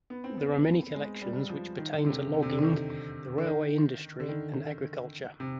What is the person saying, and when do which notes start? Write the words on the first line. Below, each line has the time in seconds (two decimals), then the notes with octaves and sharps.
There are many collections which pertain to logging, the railway industry and agriculture.
0.10 B3
0.24 C4
0.38 B3
0.95 G#3
1.22 G3
1.50 F3
1.78 D#3
1.98 D3
2.06 C3
2.34 D3
2.42 C3
2.51 D3
2.62 D#3
3.38 D3
3.45 D#3
4.20 D3
4.28 D#3
5.40 C3